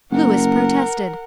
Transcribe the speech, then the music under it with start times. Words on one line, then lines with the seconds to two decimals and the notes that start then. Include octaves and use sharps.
Louis protested.
0.11 F#1 A#4 F#5